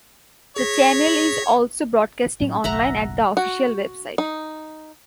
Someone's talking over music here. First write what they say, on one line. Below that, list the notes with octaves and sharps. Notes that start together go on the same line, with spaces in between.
The channel is also broadcasting online at the official website.
G#4 C#5 A#6 B6
A2 F#3 C#4
F#1 B1 E5 F#5 A#5
F#4
D#4